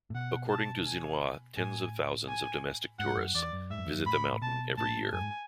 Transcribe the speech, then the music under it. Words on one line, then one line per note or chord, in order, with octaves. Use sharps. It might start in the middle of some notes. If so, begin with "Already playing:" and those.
According to Xinhua, tens of thousands of domestic tourists visit the mountain every year.
A2
B2 F#5
A5
G#5
A2 G#5
G#5
G#2 F#5
F#2
E2 D5
F#2
G#2 E5
F#2
E2
F#2
A2 B5
A2
B2 A5
A2 A5
F#2 G#5
G#2